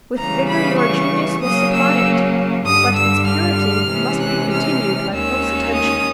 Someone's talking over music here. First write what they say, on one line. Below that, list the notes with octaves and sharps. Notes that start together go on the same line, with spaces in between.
With vigour your genius will supply it; but its purity must be continued by close attention.
C#3 E3 G3 B3 A#5
B5
C#6
C#3 F#3 A#3 C#4 D#6
E6
G2 D3 G3 D#6
E6
F6
C3 E3 G#3 C#4
F#6
F6
D#2 D#3 G#3 C#4 E6
D#6